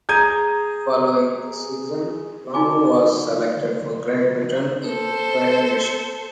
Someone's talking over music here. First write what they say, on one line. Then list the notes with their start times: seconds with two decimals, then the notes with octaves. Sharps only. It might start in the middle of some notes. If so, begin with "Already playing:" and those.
Following the season, Long was selected for Great Britain in the Tri nations.
0.09 G#4 A#5 G6 G#6 D#7
2.54 D#4 F#4 G#5 D6
4.87 A4 C5